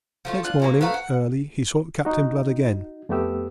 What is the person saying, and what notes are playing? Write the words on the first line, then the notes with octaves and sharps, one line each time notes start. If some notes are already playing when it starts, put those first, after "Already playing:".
Next morning early he sought Captain Blood again.
F3 A3 F4
D4 F4 F#5
F3 F#3 A#3
A3 B4 F5 A#5
F#5
D#4 F#4
F2 A3 B3 G4 E6